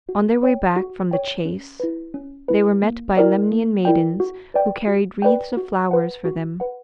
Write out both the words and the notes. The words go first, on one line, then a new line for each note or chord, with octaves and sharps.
On their way back from the chase they were met by Lemnian maidens who carried wreaths of flowers for them.
F#4
C#5 G5
F#4
C#5 G5
C#4
E4 B4
C#4
E4 B4
A#3
E4 A#4 D5 G5
A#3
E4 A#4 D5 G5
F#4
B4 D5 G5
F#4
B4 D5 G5
F#4
B4 F#5
F#4
B4 F#5